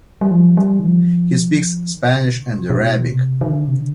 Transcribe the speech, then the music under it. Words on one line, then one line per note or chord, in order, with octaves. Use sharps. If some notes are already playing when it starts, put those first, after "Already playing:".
He speaks Spanish and Arabic.
G3
F3
G3
D#3
F3
D#3
D3
C3
B2
C3
D#3
D3
C3
D3